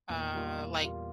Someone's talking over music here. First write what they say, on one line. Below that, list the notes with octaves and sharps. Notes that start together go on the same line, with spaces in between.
uh, like
E2 A#2
G3 A#3 F4
A#2
G3 A#3 F4